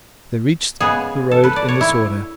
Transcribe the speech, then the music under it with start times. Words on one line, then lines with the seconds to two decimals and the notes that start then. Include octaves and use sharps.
They reached the road in this order.
0.80 C#3 G#3 B3 G#4
1.31 A4
1.44 B4
1.56 D5
1.68 C#5
1.81 E4